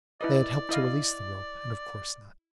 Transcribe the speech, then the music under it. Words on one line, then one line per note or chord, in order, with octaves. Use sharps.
They had helped to release the rope, and of course not.
E4 B4 D5 D#5
E4 D#5 F5